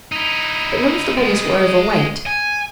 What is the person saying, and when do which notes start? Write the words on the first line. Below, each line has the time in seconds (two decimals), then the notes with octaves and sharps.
But none of the bodies were overweight.
0.12 D#4 E4
1.18 G#3 D5
2.26 G#5